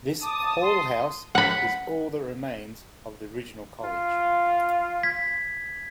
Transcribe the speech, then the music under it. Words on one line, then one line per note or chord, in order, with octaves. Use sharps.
This hall-house is all that remains of the original College.
A5 D6 D#6
C6
F#5 B5
F4
G#6 B6